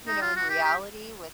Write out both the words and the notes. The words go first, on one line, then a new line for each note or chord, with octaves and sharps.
you know, in reality with
D#4
F4
F#4
G4
G4